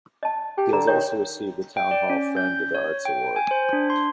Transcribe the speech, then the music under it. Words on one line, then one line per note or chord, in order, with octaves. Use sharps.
He has also received the Town Hall Friend of the Arts Award.
D#5 A5
G4 G5
D3 A#5
D#3 C#5 G5
G5
D5
C#4
G6
C#5
G5
G#5
C5
D4
C6